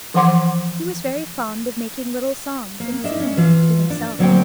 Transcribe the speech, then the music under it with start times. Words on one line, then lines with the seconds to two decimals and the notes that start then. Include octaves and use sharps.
He was very fond of making little songs, and singing them to himself.
0.14 E3 F3 C5 F#5 C6 D6
2.80 A#3
3.04 D4 D#5 E5
3.20 C#4
3.37 E3 F4
3.90 D4
4.19 D2 F#3 A#3 C4 C5 G5